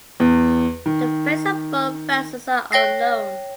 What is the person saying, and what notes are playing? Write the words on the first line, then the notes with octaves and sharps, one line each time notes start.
The fates of both vessels are unknown.
E2
D#3
C#5 G5 A#6 C7